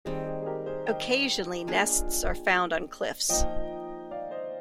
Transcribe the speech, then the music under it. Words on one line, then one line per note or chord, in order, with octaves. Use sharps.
Occasionally, nests are found on cliffs.
D#3 G3 C4 G#4
G#4
G#4
G4 A#4
G#4 C5
D#5 G5
A#3 D4 F4 G#4
F3 A#3 D#4 D#5 G5
D5 F5
C5 D#5